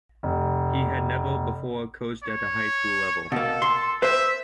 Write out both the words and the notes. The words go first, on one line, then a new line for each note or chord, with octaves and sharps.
He had never before coached at the high school level.
F1
C#5
B2 A#3 A4
C6
B4 C5 E5